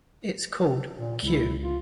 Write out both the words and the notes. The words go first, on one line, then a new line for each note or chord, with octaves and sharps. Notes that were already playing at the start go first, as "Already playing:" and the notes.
It is called "Kew".
A#2
C#2 E4
F4